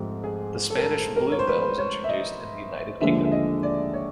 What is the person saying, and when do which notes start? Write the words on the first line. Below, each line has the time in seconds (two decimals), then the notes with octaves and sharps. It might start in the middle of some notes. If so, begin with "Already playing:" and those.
The Spanish bluebell was introduced in the United Kingdom.
Already playing: G#2 F3 A3 C4 G4
0.24 G#4
0.70 A4
0.77 A#4
0.84 A4
1.16 A#4
1.32 C#5
1.39 C5
1.47 B4
1.78 C#5
2.04 E5
2.09 D#5
3.01 D#2 D3 F3 G#3 E5
3.25 E5
3.32 D#5
3.63 D5
3.94 C#5